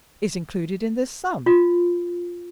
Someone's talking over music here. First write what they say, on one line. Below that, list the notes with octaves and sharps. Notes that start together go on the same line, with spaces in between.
"Is included in this sum."
F4